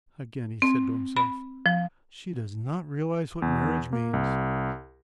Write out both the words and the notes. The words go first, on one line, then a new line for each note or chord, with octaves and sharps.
Again he said to himself, "She does not realize what marriage means!"
C4
B5
F3
E2
A#3
C2